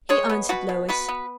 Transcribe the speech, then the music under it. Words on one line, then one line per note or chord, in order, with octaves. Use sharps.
He answered Lois.
G#3 G#4 C#5
B3
B2 F#4 B4
B2
B3 F#4 B4
B3